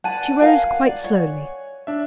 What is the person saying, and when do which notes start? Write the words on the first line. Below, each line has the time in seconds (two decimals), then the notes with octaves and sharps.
She rose quite slowly.
0.04 B4 D5 F#5 G#5 A5 D#7
0.41 A#4 F5
0.86 D5
1.04 C#5
1.87 D4 E5